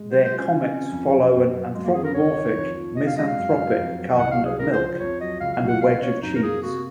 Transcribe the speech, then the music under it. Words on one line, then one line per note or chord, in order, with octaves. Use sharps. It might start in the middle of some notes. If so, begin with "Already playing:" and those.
Their comics follow an anthropomorphic, misanthropic carton of milk and a wedge of cheese.
Already playing: G#3
F#3 C5
C5
F4
C#4
C#3
C4
F2
F#3
F#2 C4
F#3
F#2 G#3
A#3
C4 G#4
A#4
C#2 C#5
D#3
F2
F3
C3 D#5
F5
G#3 D#5
F5
F#2
F#3
F2
F#3
C2 F#5
F5
F#3
G#4
C#2 A#4
C5
F3
C5
F2 C#5
F#3 D#5
C#2 F5
F5
F#3
F#5
C#3 F5
C4 C#5
F#2 D#4
A#4
A#3 G#4
C3 F#4